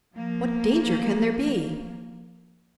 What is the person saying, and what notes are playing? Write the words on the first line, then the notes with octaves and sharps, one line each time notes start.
"What danger can there be?"
F3 A#3